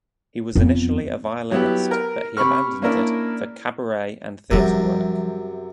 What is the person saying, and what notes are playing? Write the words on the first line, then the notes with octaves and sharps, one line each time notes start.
He was initially a violinist, but he abandoned it for Kabarett and theatre work.
F2 B3
F#3 B3 E4 G4
A#4
C3 B5 C#6 F6
A#3 C#4 D4 E4 A#4
F#2 C3 F3 G3